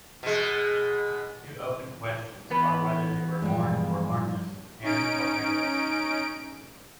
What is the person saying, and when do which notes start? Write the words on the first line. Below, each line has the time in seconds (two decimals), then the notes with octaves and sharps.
Two open questions are whether they were horned or hornless, hairy or hairless.
0.23 B2 G#3
2.50 E2 B3 B4
3.42 G2 F3 G3 G#3
4.82 C#4 D#4 D7